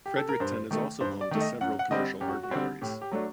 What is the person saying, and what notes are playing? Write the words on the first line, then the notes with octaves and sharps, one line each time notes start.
Fredericton is also home to several commercial art galleries.
G4
A4
A#4
G2 C5
D#3 A3
G2 C5
D5
D#3 A3
D#5
F#2 F#5
F#5
D3 G3 C4 D#5
F#2 G4
F#4
F#4
D3 G3 C4
A2 G4
G4
F#3 A3 D4